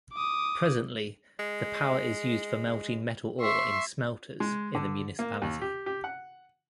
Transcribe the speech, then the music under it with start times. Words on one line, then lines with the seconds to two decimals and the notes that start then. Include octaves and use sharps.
Presently, the power is used for melting metal ore in smelters in the municipality.
0.13 D6 D#6
1.39 G#3
3.41 E5 C6 C#6
4.40 G#3
4.75 D3
5.19 A#3
5.42 D#2
5.61 G4
5.86 G4
6.04 F#5